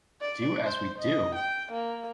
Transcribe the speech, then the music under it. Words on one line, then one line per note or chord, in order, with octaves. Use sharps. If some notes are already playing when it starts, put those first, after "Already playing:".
Do as we do?
D5
C5
D#5
G5
A#3